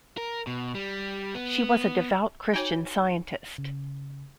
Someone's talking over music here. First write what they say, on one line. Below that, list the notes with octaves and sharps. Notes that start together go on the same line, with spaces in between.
She was a devout Christian Scientist.
A#4
B2
G3
B3
D#4 F#4 C#5 G5 G#5
C#3